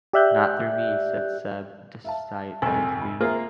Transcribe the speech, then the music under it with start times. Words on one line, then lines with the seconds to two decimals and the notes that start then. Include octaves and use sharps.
"Not through me," said Seb decidedly.
0.13 G4 D5 E5 F#6 G6
2.04 E5 F5 A5
2.62 C2 F2 C4 G#5 C#6 E7
3.01 B5
3.20 A#3 F4 G#4 C5 E5 A#5